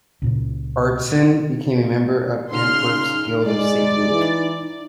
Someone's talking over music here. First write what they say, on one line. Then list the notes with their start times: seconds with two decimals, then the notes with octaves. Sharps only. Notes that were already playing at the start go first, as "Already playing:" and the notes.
Aertsen became a member of Antwerp's Guild of Saint Luke.
0.22 C#2 A#2 C#3
2.51 C#3 D#4 C6 F6
3.45 G#3 D5
4.11 E3